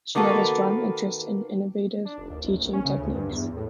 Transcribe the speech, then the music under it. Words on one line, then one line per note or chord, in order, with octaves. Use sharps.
She has a strong interest in innovative teaching techniques.
D#3 A#3 F#4 A4 B4
D4
F1
D#2
A1
A#1
C#4
C#3
D2
G2
E2
A2